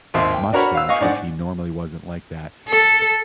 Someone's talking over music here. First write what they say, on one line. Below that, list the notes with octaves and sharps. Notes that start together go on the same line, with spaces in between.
mustache, which he normally wasn't like that,
G#1 D#2 E5 C6
G5
D4 F#4 A#4 C#5 B5
F5 E6
D#5 F5 G#5 C#6
G#2 D4 D5 F#5
A4